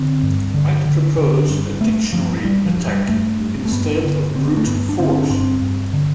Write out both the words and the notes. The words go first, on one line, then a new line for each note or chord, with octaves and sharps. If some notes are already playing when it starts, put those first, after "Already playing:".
I'd propose a dictionary attack instead of brute force.
Already playing: D3 C4
G2
D3
D3
D3
G2
G2 A3
G2 F3
G2 G3
F3
G2
G3
G2 A3
G2
A3
G2 B3
D3
D3 C4
B3
A3
G2 B3
D4
D3 C4
D4
G2 C4
G2
D3